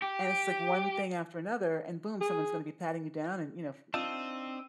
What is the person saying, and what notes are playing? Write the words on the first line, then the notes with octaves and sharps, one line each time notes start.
and it's, like, one thing after another, and boom, someone's gonna be patting you down and, you know, f
G4
G#4
C4 D4 D#4 F4 A5 E6 D#7